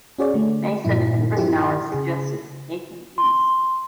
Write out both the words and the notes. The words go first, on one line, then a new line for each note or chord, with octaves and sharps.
Mason and Ritenour suggested Nathan East.
C#4 F#4 G#4 C#5 D5
D3 A3
G2 A#2 F3 E4
F3 E4 F#4 G4
C#3 G#4
C6